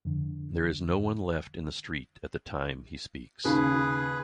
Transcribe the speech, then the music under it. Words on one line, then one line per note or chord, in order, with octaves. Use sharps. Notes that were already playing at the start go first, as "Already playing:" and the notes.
There is no-one left in the street at the time he speaks.
F2 D3
D#2 C#3 G#4 B4